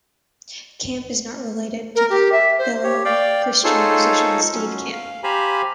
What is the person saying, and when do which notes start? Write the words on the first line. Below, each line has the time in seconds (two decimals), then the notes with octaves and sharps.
Camp is not related to fellow Christian musician Steve Camp.
1.95 A#4
2.09 G4
2.32 E5
2.58 C5
2.84 G4 C#5
3.05 D5 F5 G5
3.64 D#4 F4 G#4 A4 C5 C#5
4.53 F#3 C#4
4.92 F5
5.23 G4 C5 F5 G#5 A#5 B5